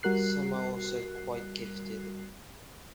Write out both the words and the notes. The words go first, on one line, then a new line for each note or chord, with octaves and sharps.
Some are also quite gifted.
G3 F#4 A#4 F#6 C7